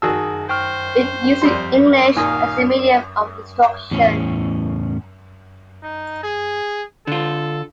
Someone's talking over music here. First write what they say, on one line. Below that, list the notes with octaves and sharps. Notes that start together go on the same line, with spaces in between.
It uses English as the medium of instruction.
D#3 F#4 G#4 A5 E6
C5 G5 C#6 F6
F2 G3 C6
D#2 A#2 D#3 F5 G#5 D#6
E2 A2 C#4
D#4
G#4
D3 F4 A4